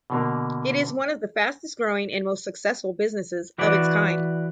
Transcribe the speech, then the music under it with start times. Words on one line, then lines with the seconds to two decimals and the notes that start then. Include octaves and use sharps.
It is one of the fastest growing and most successful businesses of its kind.
0.10 B2 D3 A#3
3.58 E3 F#4 B4 D5